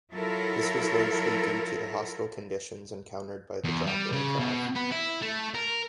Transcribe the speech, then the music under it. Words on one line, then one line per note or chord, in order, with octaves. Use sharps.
This was largely due to the hostile conditions encountered by the drop aircraft.
F#3 E4 F4 A4 A#4
E2
G3
C#3
B2
B3
E4
A3
A#4